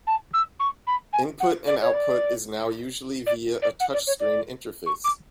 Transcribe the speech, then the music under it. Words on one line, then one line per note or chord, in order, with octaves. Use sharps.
Input and output is now usually via a touch-screen interface.
A5
E6
C#6
B5
G#5
F#5
D5
C#5
D5
D5
D5
F#5
D5
C#5
D5
C#6
D6